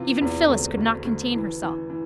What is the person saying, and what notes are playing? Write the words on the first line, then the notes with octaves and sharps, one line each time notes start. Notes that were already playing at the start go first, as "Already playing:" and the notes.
Even Phyllis could not contain herself.
Already playing: C3 E3 F4
E2
D2
D2
D2
E3
E3
E3